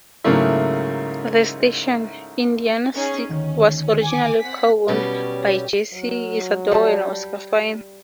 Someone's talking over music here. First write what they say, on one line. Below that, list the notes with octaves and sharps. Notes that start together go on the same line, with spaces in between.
The station, Indiana's sixth, was originally co-owned by Jesse, Isadore, and Oscar Fine.
G#2 C#3 F#3 A3 A#3 E4
C#4 D#4 G#4
D2 D#3 C#4
G#5 D6
C4 F#5 B6
B2 F#3 G3 C#4 G4
F#3
G3 A5